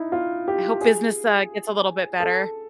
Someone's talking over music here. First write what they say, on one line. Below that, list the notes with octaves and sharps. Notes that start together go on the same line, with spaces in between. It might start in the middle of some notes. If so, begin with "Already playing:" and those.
I hope business, uh, gets a little bit better.
Already playing: D#4 E4
F4
G4
G#4
A4